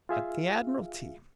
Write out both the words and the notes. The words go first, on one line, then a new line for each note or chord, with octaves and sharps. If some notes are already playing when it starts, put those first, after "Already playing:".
"At the Admiralty."
F4 G#4 E5 F5